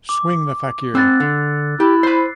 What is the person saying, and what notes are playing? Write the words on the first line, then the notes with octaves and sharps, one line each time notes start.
Swing the Fakir.
D6
C4 F#5 E6 F#6 A6
D3
E4 G4
C5 B5 C7